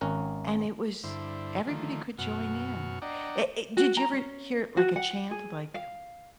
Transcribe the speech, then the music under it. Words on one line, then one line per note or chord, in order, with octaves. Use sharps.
and it was everybody could join in. Eh, eh, did you ever hear, like, a chant like
G#1 C#4 A#4 F#5
G2 D3 E4 C5
D3 D#3 F3 A3
F#2 B2 F#4 F6
D4 D5 D#5 F#5 G5 A#5
F#4
A#5
C#4
F#4
F#5
G#4
F5